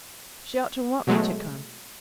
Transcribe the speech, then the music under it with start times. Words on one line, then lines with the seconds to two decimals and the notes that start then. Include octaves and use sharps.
She ought to want me to come.
1.07 B2 F#3 G#3 A3